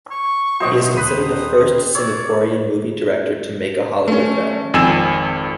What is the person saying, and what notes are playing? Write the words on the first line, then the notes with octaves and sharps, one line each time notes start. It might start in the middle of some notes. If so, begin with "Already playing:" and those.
He is considered the first Singaporean movie director to make a Hollywood film.
C#6
B2 F#3 C5 D#5 E5 G5
D#1 B5 D#6 F#6 B6 D#7
C#5 D5 E6
A3 C#4
G#1 F2 G5 G#5 E6 E7